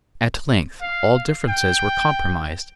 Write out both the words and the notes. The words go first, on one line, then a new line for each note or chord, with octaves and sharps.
At length all differences were compromised.
F5
G5